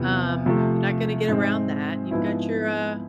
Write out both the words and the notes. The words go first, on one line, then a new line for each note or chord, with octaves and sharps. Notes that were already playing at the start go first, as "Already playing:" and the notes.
um, you're not gonna get around that, and you've got your, uh
Already playing: E2 C3 E3 B3 F4
C3 F3 A3
G#2 G#3 C4
G#2 F3 B3 E4